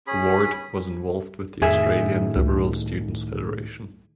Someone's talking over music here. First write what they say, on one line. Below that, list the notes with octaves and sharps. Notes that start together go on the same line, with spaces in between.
Ward was involved with the Australian Liberal Students Federation.
C#4 G#4 B5
F2 A2 D#3 G#4 E5
C#2